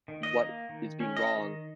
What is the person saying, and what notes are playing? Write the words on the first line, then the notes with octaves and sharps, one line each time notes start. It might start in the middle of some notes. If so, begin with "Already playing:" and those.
what is being wrong.
D#3
D#5
A#3
D#3
C#4
D#5
D#3